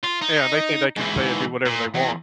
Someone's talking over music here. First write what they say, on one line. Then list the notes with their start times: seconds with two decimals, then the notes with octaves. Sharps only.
Yeah, they think they can say and do whatever they want.
0.04 F4
0.22 D#4
0.97 G#2 E3
1.66 A#2
1.95 E2